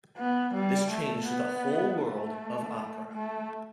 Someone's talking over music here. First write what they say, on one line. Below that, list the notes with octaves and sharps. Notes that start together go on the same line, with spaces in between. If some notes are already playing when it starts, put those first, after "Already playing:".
This changed the whole world of opera.
B3
G3
A3
B3
A3
A3